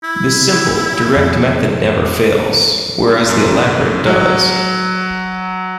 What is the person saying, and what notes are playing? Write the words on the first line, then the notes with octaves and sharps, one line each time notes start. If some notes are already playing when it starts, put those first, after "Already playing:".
The simple, direct method never fails, whereas the elaborate does.
E4
F2
F#2
F#3